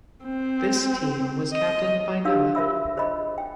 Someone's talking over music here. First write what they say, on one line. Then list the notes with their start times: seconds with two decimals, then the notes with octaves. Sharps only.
This team was captained by Noah.
0.24 C4
1.53 D#5
2.25 D4 F#4 G4 F5 E6
2.55 F4 A#4 C5 E5 B5 E6
2.97 G#4 C5 D#5 B5
3.38 G5